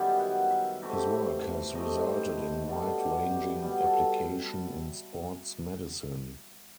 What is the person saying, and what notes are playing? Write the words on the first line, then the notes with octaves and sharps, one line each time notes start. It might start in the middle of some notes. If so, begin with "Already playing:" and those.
His work has resulted in wide-ranging application in sports medicine.
Already playing: F#2 D#3 G3 B3 E5
F#5
E5
C3 E3 A3
C3 E3 A3 D#5
B4
C5
B4
B2 G3 B3 A4
G4
G4
B2 G3 B3
A4